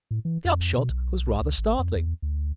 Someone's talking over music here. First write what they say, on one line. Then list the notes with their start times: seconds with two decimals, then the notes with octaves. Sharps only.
The upshot was rather startling.
0.11 A2
0.25 E3
0.45 F2
0.78 B2
0.90 B1
1.41 C#2
1.58 G#1
1.79 F2
1.96 E2
2.22 D2